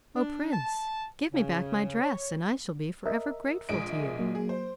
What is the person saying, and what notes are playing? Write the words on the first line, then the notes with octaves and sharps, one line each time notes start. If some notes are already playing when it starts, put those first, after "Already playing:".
'Oh Prince, give me back my dress, and I shall be for ever grateful to you.'
D4
A5
C#3
C#5
A#4 D#5 E5
A#1 G#3 D7
F#3 A#3
G#4
C5